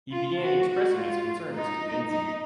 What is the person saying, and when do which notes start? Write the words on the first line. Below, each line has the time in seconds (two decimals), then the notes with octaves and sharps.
He began expressing his concerns to Lindsay.
0.12 F4
0.40 F#4
0.68 F#4
0.96 F4
1.53 D#4
2.10 D#4